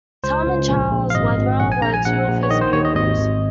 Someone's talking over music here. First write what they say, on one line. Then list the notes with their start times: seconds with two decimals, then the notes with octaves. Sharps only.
Tom and Charles Wetherell were two of his pupils.
0.24 C#2 C5
0.47 C#2
0.69 A#1
0.91 A#1
1.10 F5
1.14 G#1 D#5
1.38 G#1
1.60 A#1 F#5
1.72 G#5
1.82 A#1 A#5
1.94 G#5
2.05 A#1 F#5
2.28 A#1
2.43 C#5
2.50 D#3 D#5
2.61 C5
2.73 D#2 C#5
2.85 D#5
2.96 G#1 D#5
3.18 G#1